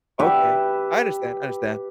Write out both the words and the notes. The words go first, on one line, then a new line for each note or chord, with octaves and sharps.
Okay. I understand, I understand.
G4 B4 E5